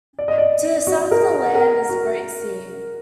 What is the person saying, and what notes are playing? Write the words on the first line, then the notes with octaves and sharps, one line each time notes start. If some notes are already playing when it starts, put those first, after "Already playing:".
To the south of the land is the Great Sea.
D5
D#5
D5
F#4
A#4
G#4
A#4
F#4